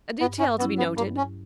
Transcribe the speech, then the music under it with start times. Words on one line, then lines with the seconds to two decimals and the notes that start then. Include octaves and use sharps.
A detail to be noted.
0.21 G2 B3
0.39 C#4
0.59 F#3 B3 C#4 E4
0.78 B3
0.97 G2 A#3
1.17 C#4